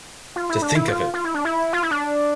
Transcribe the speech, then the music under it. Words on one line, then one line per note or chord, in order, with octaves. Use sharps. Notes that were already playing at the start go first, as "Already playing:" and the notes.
To think of it!
F4
E4
D4
E4
F4
F4
E4
D4
E4
F4
E4
D4